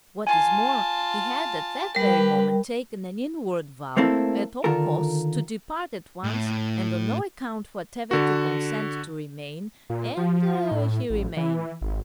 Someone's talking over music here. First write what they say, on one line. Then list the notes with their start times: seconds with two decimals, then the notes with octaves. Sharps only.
What is more, he had at that very moment taken an inward vow at all costs to depart at once and on no account whatever to consent to remain, and ... he remained.
0.27 F4 G#5 A5 C6
1.95 G3 G4 A#4 B4
3.97 A3 A#3 C4 E4 A4
4.64 D3 D#3 F4 A4 A#4
6.24 A2
8.11 D3 F#4
9.90 A#2
10.17 F3
10.71 A2
11.10 A1
11.37 E3
11.81 G#1